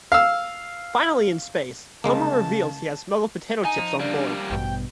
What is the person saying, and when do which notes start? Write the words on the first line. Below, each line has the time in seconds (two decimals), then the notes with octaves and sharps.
Finally in space, Homer reveals he has smuggled potato chips on board.
0.12 F5 E6
2.04 C2 C#3 G#3 A#3 A5
3.65 D#4 G#5
3.77 F3
4.00 G3 A#3 D4
4.50 A1 G2 B2 G5